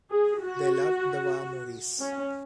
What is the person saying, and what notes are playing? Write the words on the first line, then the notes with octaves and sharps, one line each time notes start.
They loved the war movies.
G#4
F#4
C#4